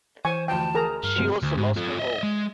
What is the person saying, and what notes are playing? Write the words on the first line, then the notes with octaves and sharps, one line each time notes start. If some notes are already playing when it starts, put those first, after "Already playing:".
She also lost her home.
E3 C5 G#5 C#6
D2 F3 G5 A5
G#4 A#4 A#5
G2 F6
G#2 C3 F#3
D2
G#2
F4 A4
D#5 E5
G#3